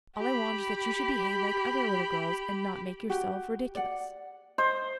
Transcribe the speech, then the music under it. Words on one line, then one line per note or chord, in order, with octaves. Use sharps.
All I want is that you should behave like other little girls and not make yourself ridiculous.
G4 B5
F#4 G4
D5 F#5
C5 D#5